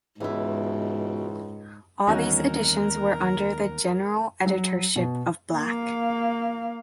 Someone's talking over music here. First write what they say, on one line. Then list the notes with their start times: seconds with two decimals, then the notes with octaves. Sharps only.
All these editions were under the general editorship of Black.
0.20 C#2 G#2 B2 E3 E4
2.07 D#2 E3 G3 B3 C#4 D#4 F#4 A#4
4.46 F#3
4.96 B2
5.53 A#3 F5